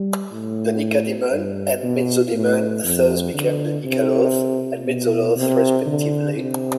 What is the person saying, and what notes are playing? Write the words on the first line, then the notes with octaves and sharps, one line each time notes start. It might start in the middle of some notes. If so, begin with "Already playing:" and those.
The Nycadaemon and Mezzodaemon thus became the Nycaloth and Mezzoloth respectively.
Already playing: G3
A2
G2
B2
A2
F2
D3
C3
B2
C3
D3
C3